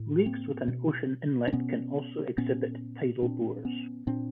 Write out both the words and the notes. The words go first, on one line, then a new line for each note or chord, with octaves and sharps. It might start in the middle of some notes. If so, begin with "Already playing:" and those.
Lakes with an ocean inlet can also exhibit tidal bores.
Already playing: A2
A#3 C4
B2
D4
B2 B3 C#4
A#2 B3 C#4
A#2 C4 D4
B3 C#4
A#2 C4 D4